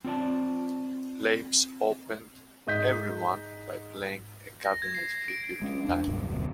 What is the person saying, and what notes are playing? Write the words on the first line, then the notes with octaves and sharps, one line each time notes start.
Labes opened "Everyone" by playing a clavinet figure in time.
C4 F4 D5 A5
G#2 D#5 G6 B6
A#6
G#6
C7
D7
G#3 C#4
E2 D4
C#2 G2 B2 F#3
F1 D2 B2